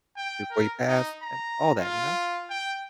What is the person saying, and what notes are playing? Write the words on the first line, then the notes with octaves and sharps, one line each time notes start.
before he passed, and all that, you know?
G5
A#4
D#4
A#5
F4
G5